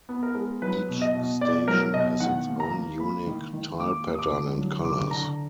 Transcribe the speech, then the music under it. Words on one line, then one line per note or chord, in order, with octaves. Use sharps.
Each station has its own unique tile pattern and colours.
B3
A#4
G#3
F#3 B4
B2
D#5
B2
B2 D5
F#3 A#4
B2 D#5
D#3 F#5
A#3
A#5
A#3
A#3 B5
D#3
D#3
A#3 D6
A#3
D#6
D6
D3
F#3
D3 D6
D3 A#5